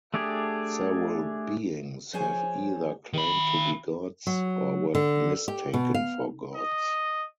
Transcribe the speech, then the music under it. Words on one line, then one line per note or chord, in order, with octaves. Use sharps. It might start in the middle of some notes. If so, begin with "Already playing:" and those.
Several beings have either claimed to be gods, or were mistaken for gods.
A3 D4 G4 G#4
F3 G#4 C5 C#5 G#5
D#3 B5
F#3
D3
G4
B2
F5
D#5